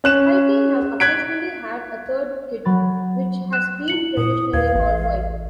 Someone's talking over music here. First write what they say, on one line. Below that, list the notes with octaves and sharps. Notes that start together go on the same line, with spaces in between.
Haiti have occasionally had a third kit, which has been traditionally all-white.
C#4 F#6 E7
F#6 G#6 B6 D7
F#3 B5 A6
F#6 E7
E4 C#7 F#7
A#2 D#6
D#2 B4 F5 G#6
A1